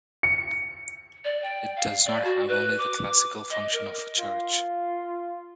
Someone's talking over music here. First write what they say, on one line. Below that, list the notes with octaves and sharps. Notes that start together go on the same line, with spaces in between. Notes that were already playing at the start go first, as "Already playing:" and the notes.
It does not have only the classical function of a church.
C#7
D5
G5
F5
D5
F#4
B4
D6
D#5
A#4
F4